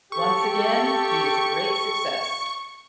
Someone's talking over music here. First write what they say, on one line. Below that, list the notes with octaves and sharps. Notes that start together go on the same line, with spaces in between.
Once again, he is a great success.
G4 A4 C#6